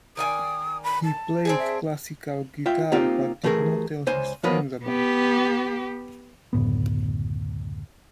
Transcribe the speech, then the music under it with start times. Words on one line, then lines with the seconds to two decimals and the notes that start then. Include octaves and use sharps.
He played classical guitar but did not tell his friends about it.
0.17 D#3 D5 G#5 D#6
0.84 B5
1.04 A5
1.45 C4 D4 G#4
1.58 E5
2.66 F4 E5 G5
2.92 A#3 C4 D#4 F4 G4
3.43 E3 A3 G4 G#4 A#4
4.07 C#2 C5 G#5 C6
4.43 F3 F#3 A#3 B3 B4 D#5
4.85 B3 G4
6.53 F#1 D2 A2 B3